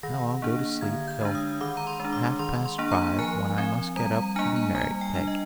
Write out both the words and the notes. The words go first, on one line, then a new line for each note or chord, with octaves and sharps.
And now I'll go to sleep till half-past five, when I must get up to be married, Peg!'
D#3 A#6
A#3 D4
D3 G#6
G6
G#3 D4
D#6
D#3 D6
A#5
C6
G#3 D4
D6
D#3 C6
C6
A#3 D4
A#5
F3 G#5
C4
G3 A#5
A#5
A#3 D4 G#5
A#5
G3 G#5
G5
D4
D#5